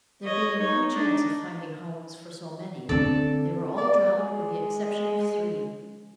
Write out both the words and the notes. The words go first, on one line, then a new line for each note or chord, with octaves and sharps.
There being no chance of finding homes for so many, they were all drowned with the exception of three.
C#5 D#5
D#4 C#5
D4 D#4
D3 C4 A4 D5 A5
D5
G#3